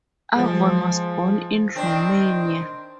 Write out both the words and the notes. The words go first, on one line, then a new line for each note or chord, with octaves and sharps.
Avon was born in Romania.
F3 G#3
D#3 C4 D4